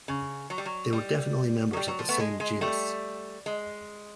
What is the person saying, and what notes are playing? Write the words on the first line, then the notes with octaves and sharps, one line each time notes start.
They were definitely members of the same genus.
C#3
F#3
G3
F#3
G3
F#3
G3
F#3
F3
A3 B3
G#3
G#3
G3 A3
G#3